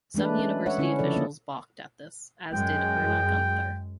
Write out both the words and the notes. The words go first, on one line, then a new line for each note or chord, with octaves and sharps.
Some University officials balked at this, as did Erna Gunther.
E3 G#3 A3 D4 B4
C#4
C#5 E5 F#5
D3 C#4 E4 C#5
C#3 F3 A4 D5
A#3 C#5 D#5
F#2 G#3 G5